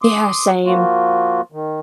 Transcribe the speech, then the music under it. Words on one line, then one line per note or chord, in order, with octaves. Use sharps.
Yeah, same.
C6 D6 D#6
F3 A#3 F4 F#4
D#3